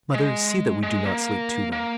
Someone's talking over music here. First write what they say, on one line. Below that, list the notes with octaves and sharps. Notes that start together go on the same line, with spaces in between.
Mother, see that we do not sleep too long.
G#3
G#3
A#3
A#3